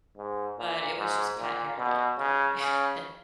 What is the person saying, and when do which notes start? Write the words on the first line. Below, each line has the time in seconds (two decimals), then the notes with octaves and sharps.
but it was just pet hair that got on my head.
0.18 G#2
0.58 A#2
0.98 G#2
1.38 A#2
1.78 B2
2.18 C#3
2.58 C#3